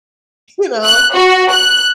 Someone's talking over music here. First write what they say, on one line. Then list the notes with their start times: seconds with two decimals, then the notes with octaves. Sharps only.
You know?
0.84 F#6
1.15 F#4
1.51 F#6